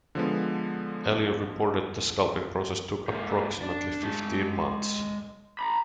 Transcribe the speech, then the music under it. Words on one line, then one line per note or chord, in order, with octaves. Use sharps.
Elliott reported the sculpting process took approximately fifteen months.
D3 F3 G#3 B3
G#2 A#3
D4
G#3 A5
A#5 B5